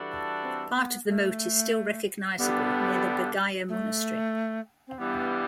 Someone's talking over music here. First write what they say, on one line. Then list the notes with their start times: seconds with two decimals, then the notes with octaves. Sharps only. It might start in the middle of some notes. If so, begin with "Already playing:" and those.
Part of the moat is still recognizable near the Bagaya Monastery.
Already playing: E3 G3 D4 F#4 A4
0.43 C4
0.75 B3
1.08 A3
2.38 G2 D3 G3 B3 D4 G4
3.68 A3
4.87 C4
4.98 G2 E3 G3 B3